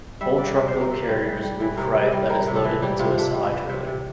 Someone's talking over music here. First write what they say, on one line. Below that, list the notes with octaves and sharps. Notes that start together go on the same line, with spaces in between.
Full truckload carriers move freight that is loaded into a semi-trailer.
G3 E5
C3 D5
C3 D5
C5
C3
A#4
C3 C5
G3
E3
G3
E3
C3 A#4
G3
G3
G3 A#4
C3
A4
E3
G3 G4
C3 F4
C3 D4
G3
E3
C3
C3